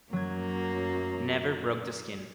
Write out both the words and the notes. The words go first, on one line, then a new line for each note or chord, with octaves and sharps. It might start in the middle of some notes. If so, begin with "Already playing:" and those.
Never broke the skin.
F#2 F#3 A#3 G#6